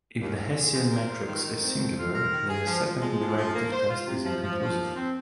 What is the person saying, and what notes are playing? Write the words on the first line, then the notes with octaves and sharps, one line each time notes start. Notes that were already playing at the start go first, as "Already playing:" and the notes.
If the Hessian matrix is singular, then the second derivative test is inconclusive.
D#2
D#2
G#4
C5
A#4
F4
D#3
D#3
C4
F2
F4
A#4
D#3
G#4
F3
F3
G#3
F3
F3
A#3
C5
F4
C3
F3
F3
F3
D#2
C4